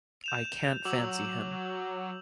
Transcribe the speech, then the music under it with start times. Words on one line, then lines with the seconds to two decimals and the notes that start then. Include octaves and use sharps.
I can’t fancy him.
0.24 G6 E7 F7
0.85 F#3 D6 E6 F#7